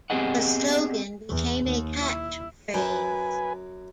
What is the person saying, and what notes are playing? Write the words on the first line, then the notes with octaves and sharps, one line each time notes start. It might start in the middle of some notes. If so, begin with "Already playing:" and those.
The slogan became a catch phrase.
B3 C4 G4 G#4 D#5 F#5
E2
D#2
E4
F#2 B4 G#5